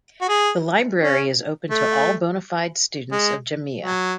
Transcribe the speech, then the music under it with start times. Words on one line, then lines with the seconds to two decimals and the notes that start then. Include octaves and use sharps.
The library is open to all bona fide students of Jamia.
0.21 F#4
0.29 G#4
1.00 C#4
1.70 A3
3.12 G#3
3.82 F#3